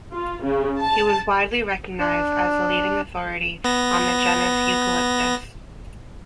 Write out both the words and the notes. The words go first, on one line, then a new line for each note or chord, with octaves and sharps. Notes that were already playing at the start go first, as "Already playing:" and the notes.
He was widely recognised as the leading authority on the genus "Eucalyptus".
F4
C#3
A5
D4
B3 A#6